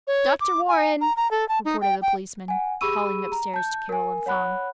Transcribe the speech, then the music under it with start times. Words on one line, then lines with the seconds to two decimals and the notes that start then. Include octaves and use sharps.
"Dr. Warren," reported the policeman, calling upstairs to Carroll and Thong.
0.07 C#5
0.40 D6
0.68 G#5
1.01 A#5
1.17 A#5
1.31 A4
1.48 A5
1.65 D#4
1.81 G5
2.02 G5
2.48 F#5 G#5
2.81 G4 G#4 B5 C#6 E6 D#7
3.32 A#5
3.54 A5 G6
3.89 A#4 G#5
4.26 C#5 F#5 B5 F#6